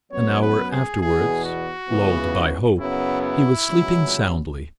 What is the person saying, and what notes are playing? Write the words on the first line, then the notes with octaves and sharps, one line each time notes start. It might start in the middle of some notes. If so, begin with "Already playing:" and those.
An hour afterwards, lulled by hope, he was sleeping soundly.
F#2 F#3 B3 C#5
B4
G#4
E2 B2 B3 G#4
F#4
C#2 C#3 E3 B3
F#2 C#3 F#3 B3 E4
E4
C#2 B2 F#3 C#4